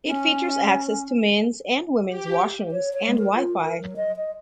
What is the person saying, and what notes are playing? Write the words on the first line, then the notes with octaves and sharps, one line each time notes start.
It features access to men's and women's washrooms and Wi-Fi.
C#4
G4
C#5
C#5
G#3
A#4
F4
A#4
F#3
D#5
D#5